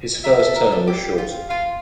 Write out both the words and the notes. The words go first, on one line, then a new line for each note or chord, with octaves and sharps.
His first term was short.
A#4 E5
A4
A#4
A4
G4
F4
F4 F5